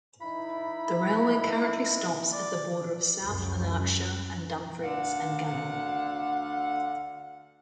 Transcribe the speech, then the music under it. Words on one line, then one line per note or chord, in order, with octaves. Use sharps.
The railway currently stops at the border of South Lanarkshire and Dumfries and Galloway.
E3 D#4 E4 B5
D5
C#2 F#2
D2 D3 F5 F#5